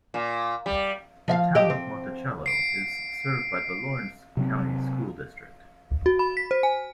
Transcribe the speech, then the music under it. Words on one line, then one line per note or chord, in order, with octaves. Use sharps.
The Town of Monticello is served by the Lawrence County School District.
A#2
G3
F3 E5 F5
G4 D#5
C4
C7 D7
C3 F#3 C4
F#4
B5
B6
C5
G#5